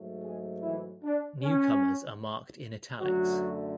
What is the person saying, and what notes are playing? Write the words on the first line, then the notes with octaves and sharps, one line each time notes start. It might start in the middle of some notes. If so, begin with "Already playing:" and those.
Newcomers are marked in italics.
Already playing: G#2 F#3 A3
G#3 G#4
E3 E4
D4
C#4
F#2 D3 F#3 A3 F#4